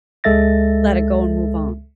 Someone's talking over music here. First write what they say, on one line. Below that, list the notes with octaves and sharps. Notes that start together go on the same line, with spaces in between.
let it go and move on?
C#2 G#3 A4 E5 A6 A#6